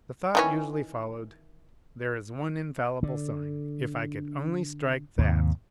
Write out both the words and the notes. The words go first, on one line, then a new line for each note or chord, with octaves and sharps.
The thought usually followed:--"There is one infallible sign--if I could only strike that!"
D#3 E3 C#4
D3
D#2 G#2 C3